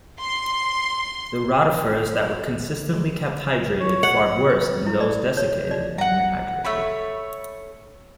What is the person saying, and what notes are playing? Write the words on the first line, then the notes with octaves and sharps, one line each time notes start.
The rotifers that were consistently kept hydrated fared worse than those desiccated and rehydrated.
C6
C#5
F#5
B4
E4
D5
C#5
D5
F#5 A#5
A3 C#5 B5